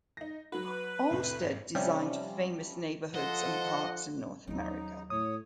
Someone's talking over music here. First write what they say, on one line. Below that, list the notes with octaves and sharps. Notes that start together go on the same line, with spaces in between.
Olmsted designed famous neighbourhoods and parks in North America.
D#4 A#6
F#3 F#4 B4
F1 A2 C3
G#1
C3 F3 G3 C#4
F3 A4 C5 D#5 F#5
D#2 C#3 F#3 D#4
A2 C#5 D#6